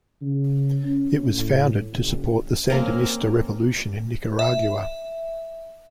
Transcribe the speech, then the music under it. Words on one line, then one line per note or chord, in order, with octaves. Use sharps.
It was founded to support the Sandinista revolution in Nicaragua.
C#3
C#4
A2
F#1
A#3 C4 C#4 A#4
E5